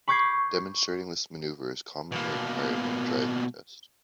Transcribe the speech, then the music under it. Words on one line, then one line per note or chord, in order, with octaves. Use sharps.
Demonstrating this manoeuvre is commonly required in a driving test.
B5 C#6 D6 G6 G#6 C7
B2 A#3